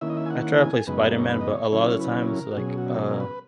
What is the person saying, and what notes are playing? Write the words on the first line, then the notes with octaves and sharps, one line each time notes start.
I try to play Spider Man, but a lotta the times, like, uh,
D#3 A#3 C#4 E4 E5
D#5
E5
G#5
F#5
G#5
F#2 C#3 G#3 B3 D#4 B4
A#4
C#5
B4
D#5
C#5
C#3 F#3 C#4 E4 C#5
B4
A#4
F#4
B2 F#3 C#4 G#4
F#4
A#4
G#4
A#4
B4